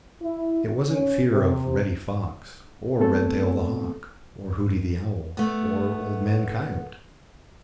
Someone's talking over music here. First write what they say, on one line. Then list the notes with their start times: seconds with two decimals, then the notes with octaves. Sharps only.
It wasn't fear of Reddy Fox, or Redtail the Hawk, or Hooty the Owl, or Old Man Coyote.
0.22 E4
0.88 C#4
1.31 C3
3.00 A3 B3 C4 A4
5.37 A3 B3